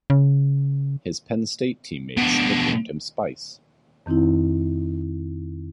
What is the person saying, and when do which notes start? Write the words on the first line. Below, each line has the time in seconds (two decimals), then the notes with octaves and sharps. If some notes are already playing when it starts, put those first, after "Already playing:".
His Penn State teammates nicknamed him Spice.
0.10 C#3
2.17 B2 D4
4.06 F2 D#3 C4 D#4 E4